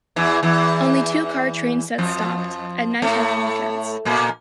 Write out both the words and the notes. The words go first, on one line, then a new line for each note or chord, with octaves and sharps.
Only two car train sets stopped, at night and on weekends.
E2 E3
E2 E3
F2 F3
A2 A3
A#2 A#3